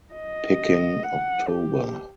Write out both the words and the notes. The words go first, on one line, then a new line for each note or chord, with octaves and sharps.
Picking October.
D#5
F#5
G4